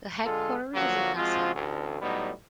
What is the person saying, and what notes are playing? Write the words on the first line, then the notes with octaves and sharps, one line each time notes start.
The headquarters is in Nassau.
D3 G#3 F4 A4
D3 F3 F#3 A#3 F#4
F3 G#3 C4 F4 F#4
A1 D2
A2 F#3 G3 B3 D#4